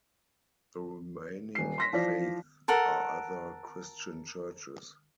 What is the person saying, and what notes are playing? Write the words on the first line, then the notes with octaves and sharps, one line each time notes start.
The remaining faiths are other Christian Churches.
D#1 C7
C6 A#6 B6
E3 F3 D5 B6
A4 A#4 F#5